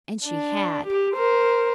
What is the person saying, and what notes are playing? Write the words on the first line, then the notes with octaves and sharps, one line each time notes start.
And she had.
D4
G4
A#4 C5